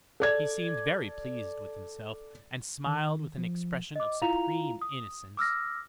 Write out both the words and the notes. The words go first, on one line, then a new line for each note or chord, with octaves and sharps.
He seemed very pleased with himself, and smiled with an expression of supreme innocence.
A4 D5 G#6
D#3
F3
D#5 D6
E4 F4 F5 A#5 F7
D#6
D6 E6 F6 A#6